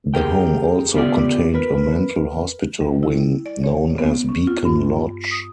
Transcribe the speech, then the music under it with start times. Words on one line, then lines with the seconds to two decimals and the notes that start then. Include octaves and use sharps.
The home also contained a mental hospital wing known as Beacon Lodge.
0.14 G4 G#4 A#4 G5
0.95 B3 F4 G4 D5 E5
1.55 A#4 B4
2.81 G3
3.03 E4
3.46 D5
3.64 C#5
3.98 B3
4.29 C#4
4.47 F4
4.65 G2
5.31 D#6